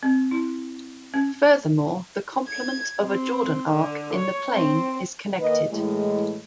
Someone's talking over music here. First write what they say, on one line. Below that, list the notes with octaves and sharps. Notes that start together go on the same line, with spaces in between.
Furthermore, the complement of a Jordan arc in the plane is connected.
C4
E4
C#4
G#6
C4
D3
C#5
C4
D#3 A#3 B4 D#5
A2 E3 G#3